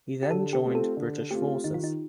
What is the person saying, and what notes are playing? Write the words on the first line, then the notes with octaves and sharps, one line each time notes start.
He then joined British forces.
G4
D3 A4
G4
A3 C4 F4
A4
D3
A3 C4 F4 G4
D#3 D#4
F4
D#4